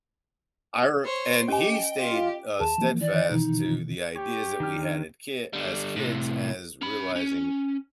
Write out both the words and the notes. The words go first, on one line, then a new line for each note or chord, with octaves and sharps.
I r and he stayed, uh, steadfast to the ideas that we had at kit as kids as realizing
C5 C#5
C#4 G4 D#5 G5 G#5
F4 G4
D#2 G#4 A5
E3 F3 A#3
D#3 E3 D5
B2 D#3 E3 D#4
G4 C#5
D#3 D4 F6
D3 G3
A2 C3
C#4 B5
C#4